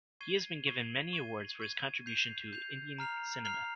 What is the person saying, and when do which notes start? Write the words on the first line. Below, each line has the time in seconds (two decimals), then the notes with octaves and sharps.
He has been given many awards for his contribution to Indian Cinema.
0.20 C#6 G#6 C7 D#7 G7
0.67 C#6 G#6 C7 D#7 G7
1.13 C#6 G#6 D#7
1.60 C#6 G#6 D#7
2.06 G6 C7 F7
2.53 G6 C7 F7
2.99 A#5 F6 C7 F7
3.45 A#5 F6 C7 F7